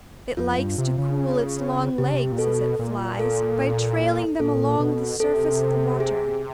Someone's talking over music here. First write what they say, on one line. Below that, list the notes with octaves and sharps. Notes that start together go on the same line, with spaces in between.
It likes to cool its long legs, as it flies, by trailing them along the surface of the water.
F2 F4
G2
C3
C#3
C3 G4
C#3
C3
A#2
B2 A4
A#2
A4
A#2 A4
B2
C3 A4
G#4